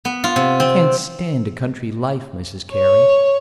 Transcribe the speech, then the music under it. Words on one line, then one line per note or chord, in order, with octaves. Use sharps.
I can't stand a country life, Mrs Carey.
B3
F4
C3
C4
C#5